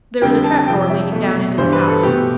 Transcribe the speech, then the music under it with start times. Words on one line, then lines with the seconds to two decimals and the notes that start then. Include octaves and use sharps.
There was a trap-door leading down into the house.
0.21 F2 D3 G3 G5
0.44 A5
0.67 F2 C3 F3 G5
0.90 E5
1.12 B2 A3
1.58 G2 E3 G3 C5
1.72 B4
1.88 A4
2.03 B2 A3 G4